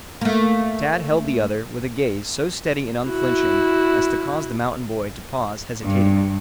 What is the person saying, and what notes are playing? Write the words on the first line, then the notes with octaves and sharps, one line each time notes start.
Tad held the other with a gaze so steady and unflinching as to cause the mountain boy to pause hesitatingly.
A3 A#3
E4 F#4
G2